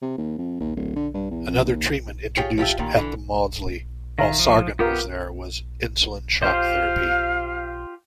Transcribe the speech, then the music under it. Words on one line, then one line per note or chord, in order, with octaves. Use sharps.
Another treatment introduced at the Maudsley while Sargant was there was insulin shock therapy.
C3
D#2
F2
D#2
D1
D3
G2
E2
F2
D#2
F4 G4 G#4 C#5 G5
F3 F4 G4 E5
A#2 D#3 G3 F4
D3 E3
D#3 E5 F5 A#5
F3
B3 F4 G4 A#4 F5
F4 G4 C5 F5